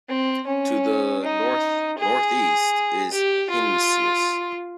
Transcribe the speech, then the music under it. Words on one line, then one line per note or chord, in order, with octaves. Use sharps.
To the north-northeast is Heinsius.
C4
C#4
D#4
G#4
G4
F4